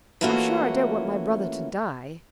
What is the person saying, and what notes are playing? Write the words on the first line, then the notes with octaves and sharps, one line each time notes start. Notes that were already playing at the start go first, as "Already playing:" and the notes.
"I'm sure I don't want my brother to die."
E3 A3 A#3 C#4 F4 F#4